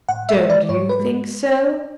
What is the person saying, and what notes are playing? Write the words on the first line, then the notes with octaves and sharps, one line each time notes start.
'Don't you think so?
A2 F#5
E5
G#3
D5
G#2 C#5
B4
G#3